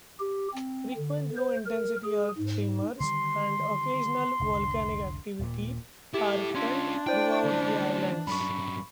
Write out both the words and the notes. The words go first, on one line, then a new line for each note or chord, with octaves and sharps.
Frequent low intensity earth tremors and occasional volcanic activity are felt throughout the islands.
G4
C4
D3
C5
A#4
G#4
G#2
D3 D#3 G3 C6
F1 C2 D3
D#1 A#2
E4 G4 A4
C#4 D4 F4 C6 G#6
E4 C5 D5 G5
D2 C#4
G2 F#3 B5 C#6